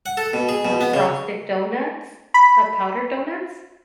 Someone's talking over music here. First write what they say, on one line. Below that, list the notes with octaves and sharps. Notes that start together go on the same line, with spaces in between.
uh, frosted donuts, the powdered donuts.
F#5
A4
B2
G#4
B2
B3
C#3
B5